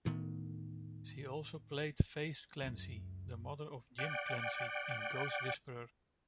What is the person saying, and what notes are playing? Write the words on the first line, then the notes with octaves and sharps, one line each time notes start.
She also played Faith Clancy, the mother of Jim Clancy in "Ghost Whisperer".
D2 A2 D#3 B3
C#2 F#2
D5 F#5 G5